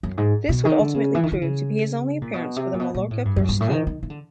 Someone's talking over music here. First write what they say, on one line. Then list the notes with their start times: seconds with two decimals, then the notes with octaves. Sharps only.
This would ultimately prove to be his only appearance for the Mallorca first team.
0.03 F#2
0.18 G#2
0.49 B2
0.65 D#3
0.79 D3
0.94 C#3
1.14 E3
1.23 D#3
1.32 D3
1.42 C#3
2.22 A#2
2.34 B2
2.56 C3
2.74 A#2
2.80 B2
2.94 A#2
3.11 A2
3.25 G2
3.36 F#2
3.49 G2
3.60 A2
3.72 D#3
3.87 D#3
4.03 D#3
4.10 D3